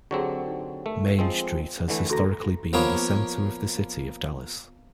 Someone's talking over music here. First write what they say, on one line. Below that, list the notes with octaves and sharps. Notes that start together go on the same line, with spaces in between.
Main Street has historically been the center of the city of Dallas.
D3 F#3 C4 G4 G#4
D#4
A3 A#4
F3 G#3 C4
D3 E3 A3 F#5
D2 F#4 A4 A#5 C6
F3 A#3 B3 C#5 D6